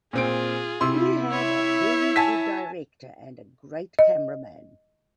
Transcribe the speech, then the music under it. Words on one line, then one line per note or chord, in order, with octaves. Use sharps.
We had a very good director and a great cameraman.
A#2 C4 F4 G#4 D7
C3 E4 C6
C#5 E5
G#5 A5 B6
D#5